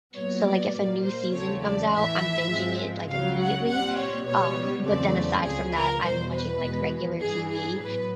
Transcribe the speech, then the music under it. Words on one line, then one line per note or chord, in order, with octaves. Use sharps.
So, like, if a new season comes out, I'm binging it, like, immediately, um, but then aside from that, I'm watching, like, regular TV,
A#2 F#3 B3 C#5
D5
A#2 G3 A#3 D5
C5
E2 C#3 F#3 A3 C4 C#5
D5
A2 E3 A3 E5
G#2 F3 G#3 C4
C#2 C#3 F#3 F5
F#5
A#2 G3 C4 F#5
C#5
C#2 B2 G3 B3 C#5
E2 C#3 F#3 A3 C4 D5
C#2 C#3 F3 G#4
A#4
E2 B2 G3 C5
B4
E2 B2 G#3 B3
G2 E3 G3 G#4
G#4
A2 F#3 B3 B4